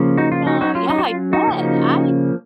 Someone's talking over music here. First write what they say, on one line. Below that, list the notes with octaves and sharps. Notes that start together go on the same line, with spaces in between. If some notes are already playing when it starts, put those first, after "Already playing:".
No, yeah, I bet. I
Already playing: C#3 F3 A#3 C#4
D#4 F#4
F4
D#4 F#4
F#3 C#4 D#4 F#4
F4
D#4
F#4
F4
D#4 F#4
C#3 F3 A#3 C#4